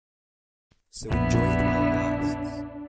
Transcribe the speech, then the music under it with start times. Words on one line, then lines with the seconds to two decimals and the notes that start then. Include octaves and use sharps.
So enjoy it while it lasts.
1.10 A#1 F2 A2 B3 D4 E4